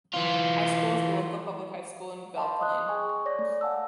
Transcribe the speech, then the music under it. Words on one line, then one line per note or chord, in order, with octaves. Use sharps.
High School is the local public high school in Belle Plaine.
E3 F4
F5 G5 A5 B5 C6
D#5 D6 D#6 F#6
G#4 G#5 C#6
C#5 D5 D6 A#6
A3
F5 F#5 G#5 A5 D6 E6